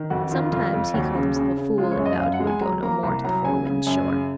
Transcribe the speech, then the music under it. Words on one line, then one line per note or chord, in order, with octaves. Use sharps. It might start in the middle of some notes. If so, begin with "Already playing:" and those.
Sometimes he called himself a fool and vowed he would go no more to the Four Winds shore.
Already playing: D#3
F2 F#4
F#4
D#3 F4
F4
F2 F4
F2
D#2 F#4
C#3
C#3
C#3
G#3 F4
C#5
F#2
D#5
F#2 F5
F#5
G#3
G#5
F#3 A#5
A#3 A#5
C2 A#5
F#3 A#5
C#3 G#5
C#3
F#2 G#5
C#3